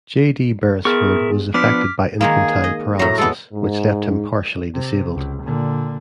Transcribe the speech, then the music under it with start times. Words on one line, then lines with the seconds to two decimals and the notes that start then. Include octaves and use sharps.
J. D. Beresford was affected by infantile paralysis, which left him partially disabled.
0.85 B3 E4 G#4 A#4 C#6
1.54 F3 B3 D4 D6 F6 B6
2.21 D#3 G#3 A#3 G#4
2.64 D#5
2.99 A2 F#3 A#5
3.18 G#3 B3 A4
3.53 G#2
4.74 C3
5.13 C#2
5.43 A#2 D3